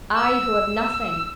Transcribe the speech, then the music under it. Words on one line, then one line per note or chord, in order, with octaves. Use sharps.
I, who have nothing!
E6